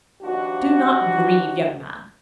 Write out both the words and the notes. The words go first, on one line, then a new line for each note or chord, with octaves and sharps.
'Do not grieve, young man!
D#2 F3 D4 F#4